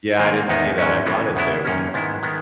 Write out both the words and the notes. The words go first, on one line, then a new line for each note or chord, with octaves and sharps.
Yeah. I didn't see that, I wanted to.
G#2 D#3 A#3
E2 D#3 G#3 B3 D#4
G#2 D#3 F#3 C#4
C#3 E3 G#3 B3
E2 C#3 G#3 B3 E4
F#2 D#3 A#3 C#4
G#2 D#3 G#3 B3 E4
D#3 G#3 B3